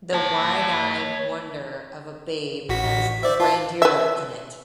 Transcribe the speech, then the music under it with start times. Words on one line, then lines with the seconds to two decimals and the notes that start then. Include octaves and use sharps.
The wide-eyed wonder of a babe has a grandeur in it.
0.13 C#5 A5
2.69 A1 F#4 B6
3.23 C5 D5 E5
3.40 F4 A5
3.82 B4 E5